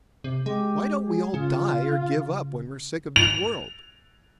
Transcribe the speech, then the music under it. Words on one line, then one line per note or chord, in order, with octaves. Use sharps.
Why don't we all die or give up when we're sick of the world?
C3
G#3 G4
G#4
C#3 F4
F7